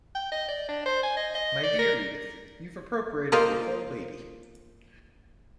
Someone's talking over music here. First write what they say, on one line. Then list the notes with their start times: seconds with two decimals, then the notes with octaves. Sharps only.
My dear Edith, you've appropriated the whole baby.
0.15 G5
0.32 D#5
0.48 D5
0.69 D4
0.86 C5
1.04 G#5
1.17 D#5
1.35 D#5
1.63 D5
1.79 A#4
3.32 A#3 F4 A#4 C5 D#5